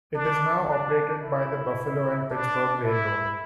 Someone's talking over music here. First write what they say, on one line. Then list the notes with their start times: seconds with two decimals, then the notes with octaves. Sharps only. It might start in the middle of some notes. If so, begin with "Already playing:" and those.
It is now operated by the Buffalo and Pittsburgh Railroad.
0.15 D4
0.68 D4
1.22 E4
2.30 D4
2.83 E4